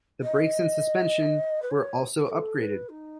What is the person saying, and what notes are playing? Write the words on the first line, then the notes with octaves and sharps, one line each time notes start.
The brakes and suspension were also upgraded.
D#5
B4
C#5
B4
A4
B4
D#4